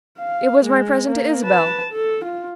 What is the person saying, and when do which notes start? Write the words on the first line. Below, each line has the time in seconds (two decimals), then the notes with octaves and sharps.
"It was my present to Isabel."
0.18 F5
0.63 G#3
1.09 A#3
1.45 B4 A5
1.92 A4
2.24 F4